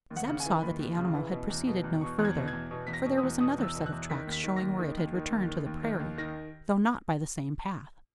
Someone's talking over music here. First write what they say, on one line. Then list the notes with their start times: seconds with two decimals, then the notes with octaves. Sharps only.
Zeb saw that the animal had proceeded no further: for there was another set of tracks showing where it had returned to the prairie--though not by the same path.
0.10 D#2
0.16 F#5
0.27 C#3
0.40 G#5
0.46 E3
0.63 D#2 B5
0.79 D#2
0.97 C#3
1.14 E3
1.32 B2
1.50 E2
1.67 B2
1.84 E2
2.01 B2 C#6
2.19 E2
2.25 G#6
2.37 B2
2.48 G#6
2.53 E2
2.71 B2
2.87 E2 B6
2.93 A#6
3.06 B2
3.17 D#6
3.23 E2
3.40 B2 D#6
3.58 E2 E6
3.75 B2
3.86 F#6
3.92 E2
4.10 D#3 B6
4.27 D#2
4.32 B6
4.44 D#3
4.56 A#6
4.61 D#2
4.79 D#3
4.97 D#2
5.14 D#3
5.30 D#2
5.49 D#3
5.66 D#2
5.83 D#3
6.00 D#2
6.18 D#3 A#6